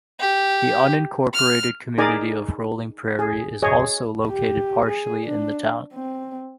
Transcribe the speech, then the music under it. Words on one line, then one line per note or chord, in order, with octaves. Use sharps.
The unincorporated community of Rolling Prairie is also located partially in the town.
G4
F6
D#4 G#4 A#4 D5 G#5 A#5
G#4
G#4 C#5 D#5
G4
G#4
D4
C4